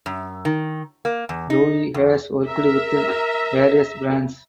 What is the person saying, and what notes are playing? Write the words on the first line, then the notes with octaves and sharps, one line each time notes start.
Looi has worked with various brands.
F#2
D#3
A#3
E2
D#4
E2
A#4 E5 A#5